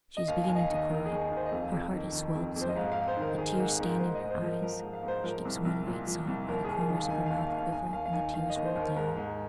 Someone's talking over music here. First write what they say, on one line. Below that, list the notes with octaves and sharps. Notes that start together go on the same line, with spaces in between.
She is beginning to cry: her heart has swelled so, the tears stand in her eyes; she gives one great sob, while the corners of her mouth quiver, and the tears roll down.
D#5
D#2 F5
D#2 G#5
D#5
F5
D#3 D#5
D#3 A#4
G#4
D#2
A#4
D#2 C5
D#5
F2 F5
F2
D#3
D#3
F2
F2
C5
D#5
G#2 F5
F5
G#2
C5
D#3
A#4
D#3 G#4
A#4
G#2
G#2 A#4
G#2 C5
D#5
G#2
C5
F3 A#4
F3 A#4
G#2
F5
G#2
C5
F3 A#4
C2
C2
A#2
F3
C2
D#2 A#4
D#2 G#4
A#4
D#3
F5
D#3 G#5
D#2 F5
F5
D#2 F5
D#2 G#5
D#2 F5
F5
D#3 G#5
D#3 F5
D#5
D#2
C5
D#2
A#4
G#2 A#4
G#2